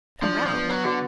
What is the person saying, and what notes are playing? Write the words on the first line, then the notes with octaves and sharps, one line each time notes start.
"Come round?"
F3 D4
D4
F3
B3
F#3 B3
D3 F#4